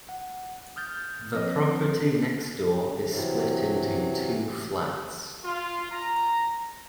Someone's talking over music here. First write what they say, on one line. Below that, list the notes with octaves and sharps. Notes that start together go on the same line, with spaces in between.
The property next door is split into two flats.
F#5
D#6 F6 G6 A6
F3 C4 B4 C#5 D#5
C3 E3 F#3
F4
A#5